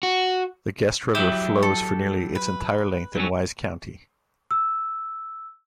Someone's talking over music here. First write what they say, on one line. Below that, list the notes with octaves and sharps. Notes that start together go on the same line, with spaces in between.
The Guest River flows for nearly its entire length in Wise County.
F#4
F#3 E4 G4 E5 D#6
A4
B4
G2 F#3 C#4
E6